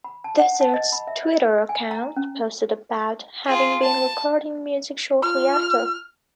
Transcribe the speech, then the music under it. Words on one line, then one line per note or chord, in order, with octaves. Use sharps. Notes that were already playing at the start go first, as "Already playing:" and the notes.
Desert's Twitter account posted about having been recording music shortly after.
B5
A5
F#5
A5
D#5
B5
E5
D#5
G#5
A#5
C#4
F4 G#4
A5
F4 F6